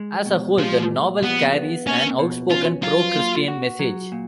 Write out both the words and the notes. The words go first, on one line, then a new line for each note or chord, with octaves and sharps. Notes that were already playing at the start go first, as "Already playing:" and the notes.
As a whole, the novel carries an outspoken pro-Christian message.
Already playing: G#3
B2
F3 G#3
A#2
F3 B3
B3
A#3 C#4
B2
C#4 F4
F#3 F4
A#3
F#4
F#3
A#2